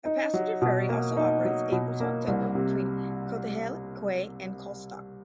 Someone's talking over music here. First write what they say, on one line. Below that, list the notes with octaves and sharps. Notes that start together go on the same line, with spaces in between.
A passenger ferry also operates April to October between Cotehele Quay and Calstock.
D#4
F#3
B2
A#3
D#4
F#3
B2
A#3
C2
C3